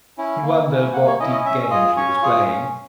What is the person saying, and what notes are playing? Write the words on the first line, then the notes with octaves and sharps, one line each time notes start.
He wondered what deep game she was playing.
C#4 E4
A#3
C#4 E4
A#3 F#5
C#5
C#4 E4 D#5
D#5
C#4 E5
F4 G#4 D#5
C#4 C#5
F4 G#4
C#4